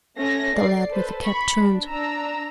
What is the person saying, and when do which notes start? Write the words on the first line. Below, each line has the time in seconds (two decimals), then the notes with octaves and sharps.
The lad with the cap turned.
0.18 A3 C#4 A#6
0.55 D5 C7
0.90 A4 B4 C5
1.22 B5 C#6
1.59 D4
1.89 D4 A#5 E6